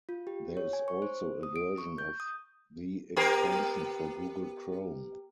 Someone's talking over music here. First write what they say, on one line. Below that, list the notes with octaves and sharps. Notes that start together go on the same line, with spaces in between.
There is also a version of the extension for Google Chrome.
F4
G4
C#5
G#5
C#6
C5
D#6
D7
C#6
G6
D#6
B3 G4 A#4